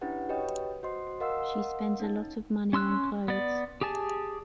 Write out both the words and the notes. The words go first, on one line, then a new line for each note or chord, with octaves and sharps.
She spends a lot of money on clothes.
C#4 D4 E4 G4 B4 F#5
F#4 G4 B4 C#5 D#5 G5
F#4 C5 D#5 C6
A#4 D#5 F5 F#5 C6 E6
C#4 D#4 A5
C#4 C6 E6 F#6
B3 D5
G4 G#4 G#5 A5